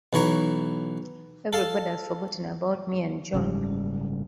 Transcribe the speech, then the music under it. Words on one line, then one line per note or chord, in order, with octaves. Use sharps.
Everybody has forgotten about me and John.
B1 E3 C#5 A#5
A4 F5 A5
F#1 G#2 C#3 G3